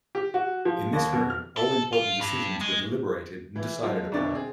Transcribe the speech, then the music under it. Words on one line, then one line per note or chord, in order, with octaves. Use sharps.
In this room, all important decisions were deliberated and decided upon.
G4
F#4
F3
D#2
B2
F6
A4
F4
G2
G#3
E3
F3 F#3 G#3
C2 B2 D3 D4 A6
C4 G#4